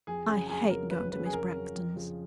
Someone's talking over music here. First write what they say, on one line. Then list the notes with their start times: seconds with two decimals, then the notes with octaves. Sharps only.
"I hate going to Miss Braxton's."
0.07 F2 G#4
0.28 C#3 F#3 C#4 G#4
0.49 F2 G#4
0.70 C#3 F#3 C#4 A#4
0.91 F2 B4
1.12 C#3 F#3 C#4 B4
1.26 G#4
1.33 F2 A#4
1.55 C#3 F#3 C#4
1.75 F2
1.95 C#3 F3